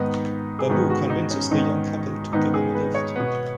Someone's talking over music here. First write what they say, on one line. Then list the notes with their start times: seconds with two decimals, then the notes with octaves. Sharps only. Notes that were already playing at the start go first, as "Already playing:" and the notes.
Babu convinces the young couple to give him a lift.
Already playing: G#2 D#3 B3 D#4
0.59 G#4
0.69 G#2 D#3 B3 F#4
0.90 F#4
1.10 D#4
1.31 C#4
1.51 G#2 D#3 B3 D#4
2.33 G#2 D#3 B3 D#4
2.54 G#4
2.75 B4
2.94 C#5
3.16 B2 B3